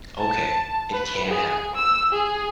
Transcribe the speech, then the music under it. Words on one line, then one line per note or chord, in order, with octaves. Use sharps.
Okay. It can happen.
A5
B4
G#4
E6
G#4